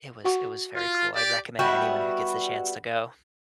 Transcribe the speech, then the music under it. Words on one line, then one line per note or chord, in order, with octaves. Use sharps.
It was it was very cool. I'd recommend anyone who gets the chance to go.
F#4 F#5 C#6
F4
G4 D5
G3 B3 E4 F#4